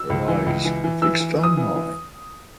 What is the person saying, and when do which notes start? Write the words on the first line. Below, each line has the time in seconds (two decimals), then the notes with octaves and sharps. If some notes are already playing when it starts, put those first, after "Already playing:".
Her eyes were fixed on mine.
Already playing: E6
0.10 C#2
0.28 E3
0.46 C#2
0.65 E3
0.84 E3
1.02 E3 E6
1.20 E3
1.39 E3 D#6
1.57 E3
1.76 E3